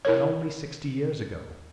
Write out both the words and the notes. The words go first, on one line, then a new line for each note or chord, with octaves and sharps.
And only sixty years ago!
E4 A#4 C#5